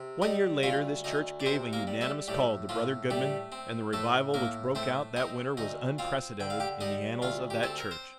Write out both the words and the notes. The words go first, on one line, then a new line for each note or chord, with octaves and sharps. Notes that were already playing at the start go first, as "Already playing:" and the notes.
One year later this church gave a unanimous call to Brother Goodman and the revival which broke out that winter was unprecedented in the annals of that church.
Already playing: C3
G3 D#4 D#5
D2 F4 F5
D2 D#4 D#5
D5
C3 C4 C5
A#3 A#4
G3
A3 A4
A2 G3 G4
A2 F3 F4
G3 A3 G4
C4
A2 A3 A4
A2 A#3 A#4
A3 C4 C5
C4 D#4 D#5
D2 D#4 D#5
C4 F4 F5
D3 G5
F5
G4 G5
G3 D#4 D#5
D2 F4 F5
G4
C4 A4
A#4
C5